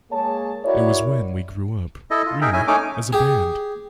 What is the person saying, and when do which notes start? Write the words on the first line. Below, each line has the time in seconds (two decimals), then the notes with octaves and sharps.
It was when we grew up, really, as a band.
0.11 G#3 A#3 G#4 C#5 A5
0.65 E4 F#4 A#4 C#5 D5 E5
2.11 E4 A4 D#5
2.26 F4
2.41 D#4 G#4 A#4 E5 G5
2.53 C#4 E4 E5 G#5
2.67 A3 C#4 D#4 C#5 G#5 D6
3.13 G4 G#4